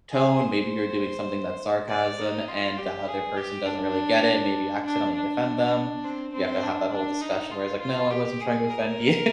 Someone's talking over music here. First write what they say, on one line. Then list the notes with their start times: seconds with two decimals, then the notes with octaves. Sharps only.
tone. Maybe you're doing something that's sarcasm, and that other person doesn't really get it, maybe you accidentally offend them, you have to have that whole discussion where it's like, "No, I wasn't trying to offend you.”
0.11 G#4
0.41 C5
1.89 D5
2.19 D#4
2.48 F4
2.78 G4
3.08 G#4
3.37 G4
3.66 D4
4.85 D4
5.15 D4
6.04 C4
6.33 C4
6.63 D4
6.93 D4
7.22 D#4
7.51 F4
7.81 F4
8.11 G4
8.41 G#4
8.71 A#4